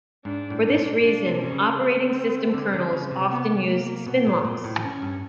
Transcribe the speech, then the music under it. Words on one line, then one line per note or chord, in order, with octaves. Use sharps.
For this reason, operating-system kernels often use spinlocks.
G#2 D4
A2
D4
A2
A#2
B2 D4
C3
C#4
C3
C#3
C4
D3
D3
C#3
C3
B3
A#3
B2 B3
A#2
A#2
A2
C#4
G2